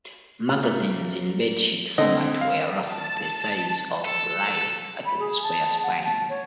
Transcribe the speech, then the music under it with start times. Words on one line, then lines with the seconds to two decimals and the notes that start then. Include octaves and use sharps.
Magazines in bedsheet format were roughly the size of "Life" but with square spines.
0.63 A3 A#3
1.98 D3 C4 D#5
2.41 F5
2.82 A5
4.05 A4
5.05 B5
5.20 G#4
5.43 A5
5.83 F#5
6.04 A5
6.29 C#5